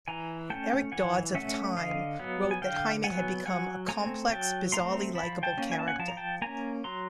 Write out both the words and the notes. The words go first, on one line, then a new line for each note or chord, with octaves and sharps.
Eric Dodds of "Time" wrote that Jaime had become "a complex, bizarrely likable character".
E3 G#5 A#5
A3 C#4 G5 A5
E3 F#5 G#5
A3 C#4 E5 F#5
D3 D#5 F5
F#3 B3
G#5
D3 F5 G5
F#3 B3 F#5 G#5
F#3 F#5 G#5
A3 C4 G#5 A#5
F#3 G5 A5
A3 C4 A#5 C6
F3 A5 B5
G5 A5
A#3 C#4
G#5
A5
F#5 G#5
F3 A5
A#5
G5 A5
A#3 C#4 G#5 A#5
F#3 A#5 C6